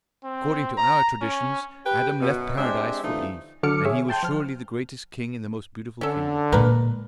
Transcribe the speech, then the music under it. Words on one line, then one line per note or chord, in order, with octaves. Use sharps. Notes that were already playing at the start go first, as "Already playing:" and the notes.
"According to our traditions, Adam left Paradise for Eve; and he was surely the greatest king in the most beautiful kingdom."
C4
A#5
C#4
G4 B4 G5
F#2 B2
G#3 C4 D4 G4 C5 E5
D3 E3 F3 G3 A3 D#4
D3 F#3 A4 D6 F6 C#7
G#4 C#5 E5
G5 A5 C6 G6
F3 F6
D3 C#4 A4
A#2 G#3 A#4 B4